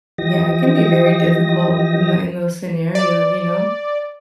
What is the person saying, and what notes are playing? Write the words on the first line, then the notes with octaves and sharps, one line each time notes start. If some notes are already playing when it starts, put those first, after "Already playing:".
Yeah, it can be very difficult in the in those scenarios, you know,
E3 F3 G4 D#5 A#6
D5